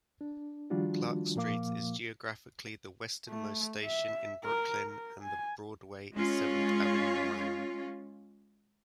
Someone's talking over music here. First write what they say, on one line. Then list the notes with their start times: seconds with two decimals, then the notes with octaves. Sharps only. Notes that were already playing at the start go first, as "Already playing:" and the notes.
Clark Street is geographically the westernmost station in Brooklyn on the Broadway-Seventh Avenue Line.
0.21 D4
0.70 D#3 F3 G3 D4 F4 F#4
1.36 A#2 F3 A#3 F5 D6
3.29 A3
3.85 E5
4.44 A#4
4.87 A#4
5.22 G#5
6.14 G#3 C#4 F4